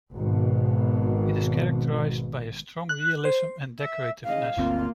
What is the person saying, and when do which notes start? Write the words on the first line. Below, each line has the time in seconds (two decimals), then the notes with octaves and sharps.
It is characterized by a strong realism and decorativeness.
0.13 G#1 B2
2.89 F#6
3.25 C5
3.81 E5
4.25 C#3 D#5 F5
4.57 G1 D2 A#3 C4 F4